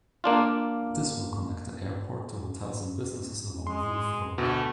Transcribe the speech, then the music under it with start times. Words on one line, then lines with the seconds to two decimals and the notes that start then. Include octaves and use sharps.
This will connect the airport to hotels and businesses along Wolf Road.
0.24 A#3 D4 F4
3.67 G#3 C6
4.38 D2 B2 A3